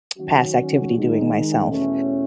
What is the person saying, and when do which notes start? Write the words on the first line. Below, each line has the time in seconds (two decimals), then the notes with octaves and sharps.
past activity doing myself,
0.18 D#3 F#3 C#4 F#4
0.94 D#3 G#3 D#4
1.70 E2 B2 A3 C#4